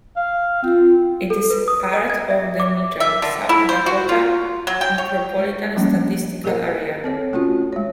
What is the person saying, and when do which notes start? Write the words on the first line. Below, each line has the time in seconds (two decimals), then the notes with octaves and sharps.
It is part of the Mitchell, South Dakota Micropolitan Statistical Area.
0.16 F5
0.63 C4 F4
1.30 A4
1.50 B4
1.68 D#6
1.94 D#5
2.10 G#6
2.31 E5
2.60 D6
3.00 E5
3.22 D3
3.49 E4
3.69 C5
3.86 F#4
4.09 F4
4.67 F#3
4.81 G5
4.98 C#5
5.37 G#3
5.76 F3 G3 A3 A#3 C#4 D4
6.44 G4 G#4 A#4 D#5 F#5
7.04 C4 A4 C#5
7.33 A3 C#4 F4 F#4
7.73 G#3 C#5